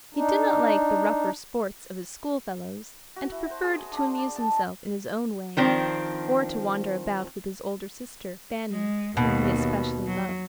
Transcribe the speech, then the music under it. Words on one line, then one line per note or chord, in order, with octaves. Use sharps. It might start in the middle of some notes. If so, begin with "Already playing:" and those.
He did not like the rougher sports of his school-fellows and preferred to amuse himself in his own way, or to wander about with his older sister, Fanny, whom he especially loved.
D4 D#4
F#4
E4
C5
G#4
D#6
D4
C6
D5
A5
D#5
D#3 F3 C4 D4
G#3
D#2 B2
F#3